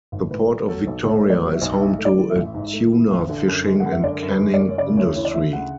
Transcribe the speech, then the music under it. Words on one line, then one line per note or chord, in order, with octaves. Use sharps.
The Port of Victoria is home to a tuna fishing and canning industry.
G#1
A2 B4
A3
F#3 A4
B1
A2 C#5
A3
D5
F#3
E5
B1
G#2 E5
A3
D5
E3
E5
A1
G#2
A3
E3
A1
D3
F#2
G#3
F#5
F#2
E5
D3 D5
F#2
B4
G#3
D5
F#2
C#5
C#3 D5
D2 C#5
E3 C#5
D5
D2 E5
C#3 F#5